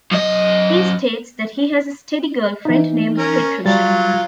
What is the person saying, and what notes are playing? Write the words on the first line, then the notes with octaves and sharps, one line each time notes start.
He states that he has a steady girlfriend named Petrusha.
F#2 D#5
E3 D#4
C#4 A#4
F#3 G3 F4 A6